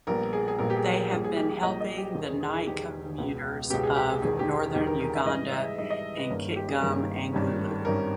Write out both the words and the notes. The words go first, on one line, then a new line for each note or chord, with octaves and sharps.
They have been helping the Night Commuters of Northern Uganda in Kitgum and Gulu.
A#1 A#2 G3 B3 A#4
G#4
G#4
A#1 A#2 G3 B3 A#4
G4
G#4
A#4
A#1 A#2 G3 G#4
G#4
G4
G#4
A#1 A#2 G3 D#5
D#5
G4
E1 E2 D#3
G#4
G#4
G#4
E1 E2 D#3 G4
C#2 B2 G#3 B3
C#2 B2 G#3 B3 G4
G#4
G4
G#4
E1 E2 D#3 G#3 G#4
G4
E1 E2 D#3 G#3 G4
A#4
A#4
E5
G#2 E3 G3 D#5
E5
G#2 E3 G3 D#5
D#5
B4
G1 G2 D#3 A#3 C#4
G4
G#4
G1 G2 D#3 A#3 C#4 A#4
G#1 G2 D#3 G3 C#4
G#1 G2 D#3 G3 C#4 A#4